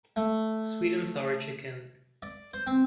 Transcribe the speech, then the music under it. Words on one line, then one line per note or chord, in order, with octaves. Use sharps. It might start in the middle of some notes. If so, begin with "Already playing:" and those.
Sweet-and-sour chicken.
A3
D5
C5
C4